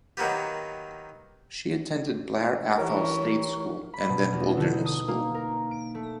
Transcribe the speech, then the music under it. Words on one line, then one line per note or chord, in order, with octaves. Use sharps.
She attended Blair Athol State School and then Wilderness School.
D#3 F#3 A#3 B3 G4
E3 G4 A#4 C#5 C#6
B5
B2
E2
D3
D#4
D#6
A#3
A#4
D7
A3